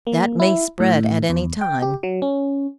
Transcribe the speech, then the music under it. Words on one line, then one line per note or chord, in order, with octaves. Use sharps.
That may spread at any time.
A#3
E4
A2
E2
G5
G4
F#3
C#4